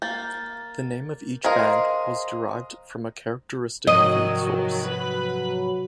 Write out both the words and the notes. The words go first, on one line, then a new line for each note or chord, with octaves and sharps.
The name of each band was derived from a characteristic food source.
A#3 G6 A6
G#4 A#4 C5 D#5 F5 A#5 C6
G#2 C3 D#3 F3 F#3 D#5
F#3 B4 B5